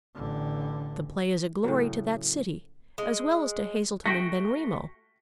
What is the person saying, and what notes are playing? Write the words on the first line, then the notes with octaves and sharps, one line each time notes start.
The play is a glory to that city as well as to Hazelton and Benrimo.
A1 D3
A2 C#3 F#3
G#3
A3 F#4 G5 A#6 B6